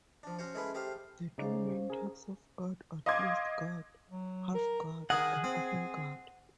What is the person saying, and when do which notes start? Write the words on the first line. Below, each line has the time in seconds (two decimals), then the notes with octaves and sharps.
The three main types of guard are Closed Guard, Half Guard, and Open Guard.
0.23 F3 D4
0.39 C#4 F#4 C5 C#5
0.55 G#3 A3 C#4 E4 G#4 B4
0.75 A3 G4 G#4 C5 F5
1.38 C#3 C#4 D#4 C5 D5 F5
1.90 G#4 A#4
3.06 D#5 F5 C6 D6 G#6
4.10 F#3
4.55 A#4
5.10 D#3 G#4 D#5 F#5
5.44 C4